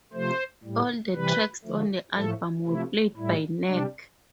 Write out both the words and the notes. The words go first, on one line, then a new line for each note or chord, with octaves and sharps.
All the tracks on the album were played by Nek.
C3 F3 A3 C5
A2 G3
C3 E3 G3 B4
D3 F3 A3
A2 F3 A3 A4
C3 F3 A3 E4
A2 G3 E4
C3 G3 D4